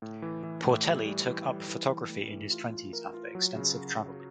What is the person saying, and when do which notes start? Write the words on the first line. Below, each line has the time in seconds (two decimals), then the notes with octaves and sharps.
Portelli took up photography in his twenties after extensive travelling.
0.02 A2
0.22 E3
0.43 E3
0.64 A2
0.85 G3
1.06 G3
1.27 E3
1.47 G3
1.68 E3
1.89 E3
2.09 A3
2.30 E3
2.51 F4
2.72 F4
2.93 A#4
3.14 F4
3.35 F#3
3.55 C#3